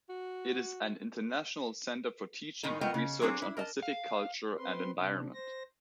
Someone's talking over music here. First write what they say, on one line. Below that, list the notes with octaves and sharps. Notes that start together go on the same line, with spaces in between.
It is an international centre for teaching and research on Pacific culture and environment.
F#4
A2 D#3 G#3 D#4
A3 B3 F4 A#4 D#5 G5
C#3
F#3 C4 D4 G#4 B4 C5
E4
A#4 D#5 A5
F5
C4 B4 C6
C3 D4
C5 A#6